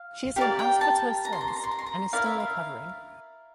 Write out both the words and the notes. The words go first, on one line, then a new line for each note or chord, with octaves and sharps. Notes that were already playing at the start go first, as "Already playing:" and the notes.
She has been out of the tour since, and is still recovering.
Already playing: F5
G4 A#4 D5 F5
G5
A5
A#5
C6
A#5
C6
A#5
C6
A#5
C6
A#5
E4 A#4 D5 F5
E5
F5